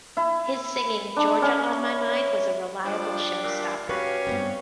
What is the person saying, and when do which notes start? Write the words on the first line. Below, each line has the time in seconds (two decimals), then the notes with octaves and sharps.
His singing "Georgia on My Mind" was a reliable show stopper.
0.17 E4
1.16 D4
1.42 C#4
2.85 F3 G3 D4 D6
3.43 A#2
3.89 C#4 F#4 G4 B4 F5
4.27 G2 B3 C4